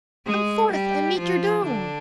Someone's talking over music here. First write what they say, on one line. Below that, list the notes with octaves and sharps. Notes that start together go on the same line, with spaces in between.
"Come forth and meet your doom!"
G#3 G#4
G3 G4
F3 F4
D3 D4